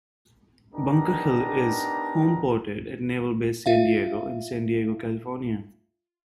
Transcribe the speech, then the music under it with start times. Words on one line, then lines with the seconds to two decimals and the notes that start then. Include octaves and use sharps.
"Bunker Hill" is homeported at Naval Base San Diego in San Diego, California.
0.74 B3 D4 D#4 G4 A#4 A#5
3.66 F4 E5 F5